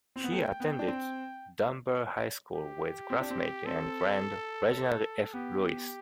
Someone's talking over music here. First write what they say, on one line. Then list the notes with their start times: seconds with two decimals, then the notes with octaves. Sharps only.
He attended Dunbar High School with classmate and friend Reginald F. Lewis.
0.16 C4
0.24 B3
0.32 A3 G5
0.60 B3
0.79 D4
0.88 C4
2.54 G4
3.10 C4
3.20 D4
3.30 C4
3.66 C4 A4
5.33 B3 G4